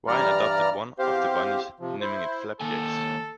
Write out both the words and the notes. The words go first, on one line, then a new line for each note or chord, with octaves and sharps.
Ryan adopted one of the bunnies, naming it Flapjacks.
G2 E3 G3 D5 A#5 F6
E2 C4 G4 C5 F5
C3 F3
E4 C5
D#3 A#3 A4 G#5